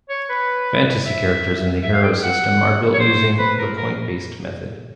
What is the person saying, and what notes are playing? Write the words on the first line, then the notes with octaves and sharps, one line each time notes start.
Fantasy characters in the Hero system are built using the point-based method.
C#5
B4
E5
E5
F5
G5
F#5
C#5
C5
B4
A#4
A#4